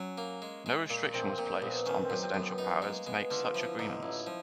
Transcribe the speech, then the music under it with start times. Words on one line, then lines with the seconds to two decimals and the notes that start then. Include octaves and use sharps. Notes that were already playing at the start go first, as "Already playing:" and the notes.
No restriction was placed on presidential powers to make such agreements.
Already playing: F#3 C#4
0.18 A#3
0.42 G#3
0.66 G#3
0.90 A#2
1.13 A#1 C4
1.38 A#2 C4
1.62 A#1 B3
1.86 D#3 C#4
2.04 C4
2.10 F#2
2.22 C4
2.34 F#2
2.40 B3
2.58 B3 D#4
2.82 G#3 A#3
3.06 G#3 B3
3.30 D3 F4
3.55 F3 E4
3.78 D3 D#4
3.92 F4
4.03 A1 E4
4.27 F3